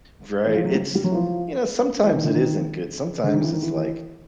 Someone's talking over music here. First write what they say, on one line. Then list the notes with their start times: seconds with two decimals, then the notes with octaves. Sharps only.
Right, it's you know, sometimes it isn't good. Sometimes it's, like,
0.45 E3
0.55 F3
0.65 F#3
0.75 G3
0.95 G3
1.04 F#3
1.11 E3
1.15 F3
2.03 E3
2.15 D#3
2.24 D3
2.34 D#3
3.24 D3
3.34 D#3
3.43 E3
3.53 D#3
3.62 E3